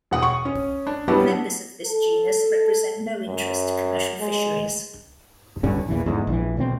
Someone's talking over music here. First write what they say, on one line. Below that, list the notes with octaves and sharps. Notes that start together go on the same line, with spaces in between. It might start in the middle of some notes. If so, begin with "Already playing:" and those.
Members of this genus represent no interest to commercial fisheries.
E1 F#5 D#6
C#6
C#4
D4
F#3 G3 B3 D4 E4 G4
A4
F#2
G#3
D1 G2 D3 C#4
E2 A#2 E3
E2 G#2 D3
A#1 E3
D2 B2 C4